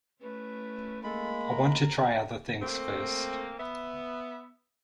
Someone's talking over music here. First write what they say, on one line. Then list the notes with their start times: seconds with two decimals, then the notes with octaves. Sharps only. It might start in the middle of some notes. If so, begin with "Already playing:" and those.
I want to try other things first.
0.21 A3 C#4 E4 B4
1.04 G#3 A#3 A4 B5
1.46 A#4 A#5
2.60 A3 A#3 C4
3.58 B3 E5